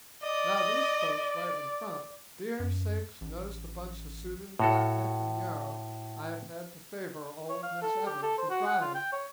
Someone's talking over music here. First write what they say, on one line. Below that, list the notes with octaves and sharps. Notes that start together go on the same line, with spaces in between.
Now these folks right in front; dear sakes knows the bunches o' soothing catnip an' yarrow I've had to favor old Mis' Evins with dryin'!
D5 D#5
F#2
A1
A2 F#4 A4
C#5
F5
A4
G4
A4
C5
F#4
F#5
F4
G5
C#5